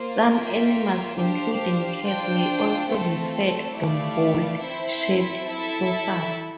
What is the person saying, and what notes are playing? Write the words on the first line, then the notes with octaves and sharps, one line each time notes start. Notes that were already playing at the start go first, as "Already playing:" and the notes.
Some animals, including cats, may also be fed from bowl-shaped saucers.
Already playing: A#3 F4 C5
A#3 F4 A#4 E5 G5
D4 G4 C5 F5
D4 F4 C5 G5
A3 C4 F4 A4
A3 E4 G4 D5 F5
C4 E4 A4 C5 E5
E4 A4 E5 A5